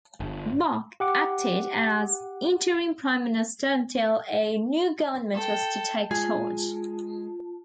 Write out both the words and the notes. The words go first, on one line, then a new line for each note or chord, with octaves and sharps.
Boc acted as interim Prime Minister until a new government was to take charge.
G1
G4 F#5 D6
A4 G5
G#3 F4 G#4 A5